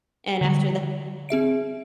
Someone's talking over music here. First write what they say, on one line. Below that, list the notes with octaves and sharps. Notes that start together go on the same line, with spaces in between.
and after
D3 G3
C4 G#4 E5 D7